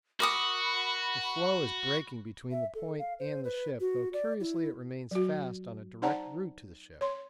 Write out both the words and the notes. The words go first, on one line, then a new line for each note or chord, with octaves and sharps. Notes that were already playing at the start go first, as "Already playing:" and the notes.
The floe is breaking between the point and the ship, though curiously it remains fast on a direct route to the ship.
F#4 A#4 B5 D6 D#6
E5
A4
F5
C5
B4
F#4
D5
E4
F#3 F#4
D#4 C5 D5 F#5 A5 A#5
C#5 C6